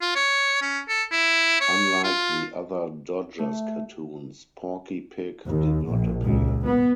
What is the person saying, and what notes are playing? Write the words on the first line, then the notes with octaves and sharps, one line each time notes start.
Unlike the other Dodgers cartoons, Porky Pig did not appear.
F4
C#5
C#4
A4
E4
C#5
F4
A3
D#2
A#1
C#2
B3